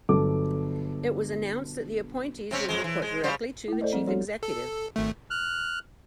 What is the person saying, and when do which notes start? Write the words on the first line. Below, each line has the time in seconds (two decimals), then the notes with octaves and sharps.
It was announced that the appointees would report directly to the chief executive.
0.09 G1 F#3 A4 D6
2.51 C3 C4 C#4
2.68 F2 G#3
2.84 E3
3.02 G#3
3.23 C#3 G3 C5
3.68 A3 E4
3.81 A4 C5 D5 D#5
3.93 F3 G3 C4
4.07 G3 B3 D4 F#4 A4 C#5
4.43 A4
4.96 G#1 A3
5.30 F6 F#6